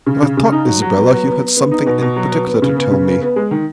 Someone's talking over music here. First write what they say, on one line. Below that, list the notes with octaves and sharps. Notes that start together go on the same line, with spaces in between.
"But I thought, Isabella, you had something in particular to tell me?"
C#3
C#3
C#3
D#4
F#3
F#3
B3
F#3
B3
B3
B3
D#4
B2
B2
F#3
B3
B3
C#3
B3
C#3
B3
B3
G#3
D#3